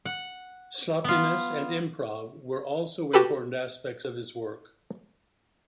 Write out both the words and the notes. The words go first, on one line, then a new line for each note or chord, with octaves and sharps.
Sloppiness and improv were also important aspects of his work.
F#5
B3 F4
F#4 G4 A4 B4